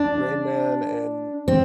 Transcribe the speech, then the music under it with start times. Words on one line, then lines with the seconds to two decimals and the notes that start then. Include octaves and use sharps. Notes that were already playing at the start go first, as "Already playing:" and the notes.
Rain Man and
Already playing: D4
1.48 C4